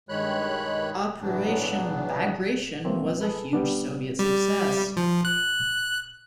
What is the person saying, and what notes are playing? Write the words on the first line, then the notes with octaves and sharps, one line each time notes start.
Operation Bagration was a huge Soviet success.
G2 D#3 G#3 C#5 B5 F#6
A2 C#3 E3 F#3 B3 D4
E3 A3 A#3 C4 C#4
G#4 A4 B4
D3 G3 B3 D4
G3
F3
F#6